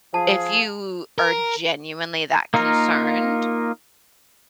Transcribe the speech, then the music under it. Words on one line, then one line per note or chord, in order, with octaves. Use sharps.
if you are genuinely that concerned,
F3 G#4 F5 A5
A#4
A#3 D#4 F4 A#4